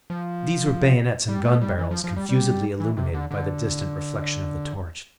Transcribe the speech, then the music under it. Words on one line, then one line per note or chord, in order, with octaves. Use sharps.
These were bayonets and gun-barrels confusedly illuminated by the distant reflection of the torch.
F3
G3
A3
G3
E3
F3
F3
G3
G3
E3
C3
D3
D3